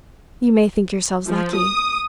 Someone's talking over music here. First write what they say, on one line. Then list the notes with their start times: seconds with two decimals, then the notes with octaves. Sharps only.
'You may think yourselves lucky.'
1.28 F3
1.56 D#6